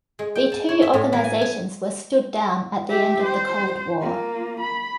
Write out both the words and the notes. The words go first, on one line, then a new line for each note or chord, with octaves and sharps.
The two organisations were stood down at the end of the Cold War.
G#3
G5
A5
C#5
E5
A2
E3
G#5
G#5
G4 E5
C5
A#3 F4
B5